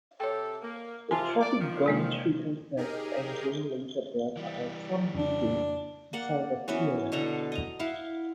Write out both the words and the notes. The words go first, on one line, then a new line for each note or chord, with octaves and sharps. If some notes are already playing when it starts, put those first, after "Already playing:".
The traffic gone trickle first and drain later brought about some decay to Salvatierra.
C3 G4 A4 C#5 G5
A#3
C3 F4 G#5 A5
D5
D#3 F3
C3 G#3 A#3
D#4 G4 G#4 A#4
E3 G3
F2 C#3 D4
A#3 D5 F#5
E3 B3 C#4 F#4
B2 D3 A4 A#5
D#5 A#5
E4 F5 F#5